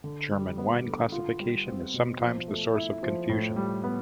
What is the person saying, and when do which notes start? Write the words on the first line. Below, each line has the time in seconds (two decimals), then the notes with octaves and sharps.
German wine classification is sometimes the source of confusion.
0.04 D3
0.31 G3
0.58 B3
0.85 D3
1.12 F4
1.39 G3
1.67 C4
1.94 B2
2.21 F3
2.48 A3
2.75 E4
3.03 F3
3.29 A2
3.56 G3
3.84 B3